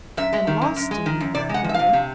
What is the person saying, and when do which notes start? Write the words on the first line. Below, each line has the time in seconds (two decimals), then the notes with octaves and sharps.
"And lost in them, my boy."
0.17 F#2 E5
0.33 G#3
0.47 D#3
0.61 F#2
0.76 F#2
0.91 G#3
1.06 D#3
1.20 F#2
1.34 C3 D5
1.49 G#3 F#5
1.64 F3 E5
1.74 C3 F5
1.93 C3